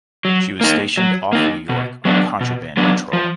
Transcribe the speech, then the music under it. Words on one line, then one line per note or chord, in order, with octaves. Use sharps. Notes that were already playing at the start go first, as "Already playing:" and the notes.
She was stationed off New York on contraband patrol.
F#3
A#3 D#4
F#3
A#3 D#4
B2
F#3 B3 D4
B2
F#3 B3 D4
F3